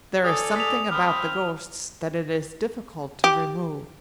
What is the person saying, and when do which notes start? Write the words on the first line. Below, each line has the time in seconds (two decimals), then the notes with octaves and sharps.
There is something about the ghosts that it is difficult to remove.
0.24 A4 D5 G#5 D#6
0.56 B6 F7
0.91 C4 B5 D#6 F6
3.24 G4